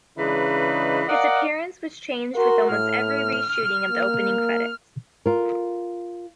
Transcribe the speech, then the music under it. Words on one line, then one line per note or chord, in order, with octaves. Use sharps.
His appearance was changed with almost every reshooting of the opening credits.
C#3 E3 G#3 D4 D#4 B4
A#4 D5 D#5 F5 F#5
F#4 A#4 C6
A2 F6
A#3
F4 A#4